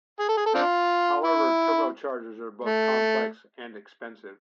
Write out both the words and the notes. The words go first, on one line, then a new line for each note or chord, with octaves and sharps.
However, turbochargers are both complex and expensive.
G#4
A4
G#4
A4
C4 D4 F4
E4
A3